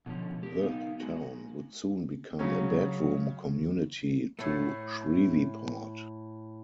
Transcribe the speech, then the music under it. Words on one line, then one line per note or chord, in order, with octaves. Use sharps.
The town would soon become a bedroom community to Shreveport.
B2 D3 F3 C#4
G4 A#4
B3 D#4 F5
G#3 F#4
C#3 F#3 C#4
A2 A3